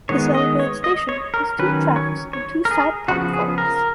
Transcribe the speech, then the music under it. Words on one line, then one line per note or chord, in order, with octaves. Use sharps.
This elevated station has two tracks and two side platforms.
D#3 G#3 B3 C#5
D#5
C#5
D#5
C#5
A#4
D#3 F#3 C#4 B4
C#5
C#5
A#4
G#4
C#3 F3 B3 F#4
G#4
A#4